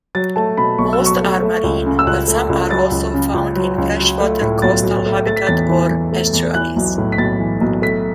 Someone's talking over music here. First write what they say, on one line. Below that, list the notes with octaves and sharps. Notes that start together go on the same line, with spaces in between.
Most are marine, but some are also found in freshwater coastal habitat or estuaries.
F#3 A6
A3 A5
B2 B5
B1 C#6
E6
F#3
C#6
A3
A3
C#2
C#3
E6
C#2 F#6
A3
C#2
F#3 A6
C#2
C#3
C#2
F#3
C#2
F#3
A3
A2
B1 A6
F#3
A3
A3 A6
B6
E2 A6
E3
E2
A3
E2
E3 F#6
B1
A2
B6
B1 A6
E3
B1
A3 B6